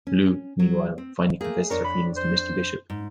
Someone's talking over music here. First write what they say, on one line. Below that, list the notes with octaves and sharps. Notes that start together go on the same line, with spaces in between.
Bleu, meanwhile, finally confesses her feelings to Mr. Bishop.
C#4
F#3
C4
A3 A#3 G#4
F2 D4 A#4 C#5
B5
C5
G#2